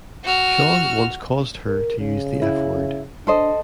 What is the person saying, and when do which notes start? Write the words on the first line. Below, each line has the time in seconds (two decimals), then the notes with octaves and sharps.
Sean once caused her to use the F-word.
0.24 F#4 F6
1.68 A#4
2.00 C#3
2.42 E4
3.27 D4 A4 C5 D#5